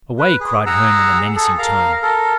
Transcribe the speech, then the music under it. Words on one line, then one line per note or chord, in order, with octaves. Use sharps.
"Away!" cried Herne in a menacing tone.
B4
G#4
G#4 F#5 A#5 E6
G#4 A4
A#4 F5 A#5
A4 A#4